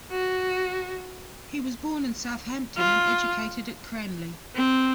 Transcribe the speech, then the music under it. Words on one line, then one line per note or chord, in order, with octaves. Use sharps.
He was born in Southampton and educated at Cranleigh.
F#4
F4
C4